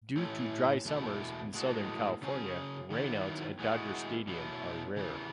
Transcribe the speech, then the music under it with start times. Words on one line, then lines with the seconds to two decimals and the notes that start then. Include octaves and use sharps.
Due to dry summers in Southern California, rainouts at Dodger Stadium are rare.
0.17 A2 E3 A3 C#4 E4
0.85 E2 B2 A3 E4
1.54 A2 G#3 B3 F#4
2.22 C#3 F#3 C#4 G#4
2.90 D#3 F#3 B3 E4
3.59 E3 G#3 B3 F#4
4.27 B2 F#3 B3 E4
4.96 C#3 E3 B3